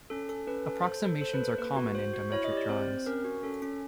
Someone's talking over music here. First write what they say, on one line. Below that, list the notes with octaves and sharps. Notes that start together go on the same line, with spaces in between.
Approximations are common in dimetric drawings.
C#4 A4
A4
C#4 B4
A4
A4 C5
A4
A4 C5
B4
A4
A#3 B4
F#4
F#4 C5
F#4
E4 C#5
D#5
G4
D5
C4 C5
C4
C#4 A#4
F#4
C#4 A4
C#4